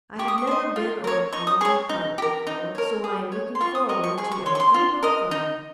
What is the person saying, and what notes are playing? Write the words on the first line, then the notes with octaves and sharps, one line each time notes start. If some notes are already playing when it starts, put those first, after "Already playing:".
I have never been on a prolonged hunt before, so I am looking forward to a heap of fun.
G4 C#6
D#6
C#6
C5 D#5
F4
A#4 C#5
D#4 C#6
D#6
G#4 C#5 C#6
D#4
G4
A#4
D#4
A#4 C#5
G#4
C#5
C6
F4 C#6
D#6
A#4 D#5 C#6
C#6
G#4 C#6
C#6
C#5 C6
C#6
C6
F4
A#4 D#5
D#4